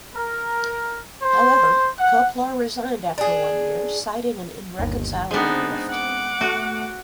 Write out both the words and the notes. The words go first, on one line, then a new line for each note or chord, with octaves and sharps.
However, Koplar resigned after one year, citing an irreconcilable rift.
A#4
C5
F#5
D4 G#4
G1 D#2
G#3 B3 C4 D4 D#4
F#5 D6
A3 F#4